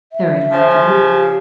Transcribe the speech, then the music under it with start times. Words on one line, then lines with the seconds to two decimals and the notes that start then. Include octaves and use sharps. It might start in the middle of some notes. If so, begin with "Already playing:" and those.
"Very likely."
0.12 E5
0.52 C#3 F3
0.87 G4